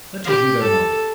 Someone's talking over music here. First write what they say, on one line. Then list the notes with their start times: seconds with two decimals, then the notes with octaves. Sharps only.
"Let us read our novel."
0.25 G4
0.62 A4